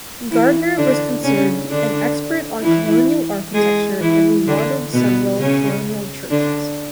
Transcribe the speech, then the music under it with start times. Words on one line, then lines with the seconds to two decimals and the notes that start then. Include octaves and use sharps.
Gardner was considered an expert on Colonial architecture and remodeled several Colonial churches.
0.31 E3 E4
0.77 D3 D4
1.24 C#3 C#4
1.70 D3 D4
2.62 E3 E4
3.54 G#3 G#4
4.00 E3 E4
4.47 D3 D4
4.93 B2 B3
5.40 C#3 C#4
6.31 D3 D4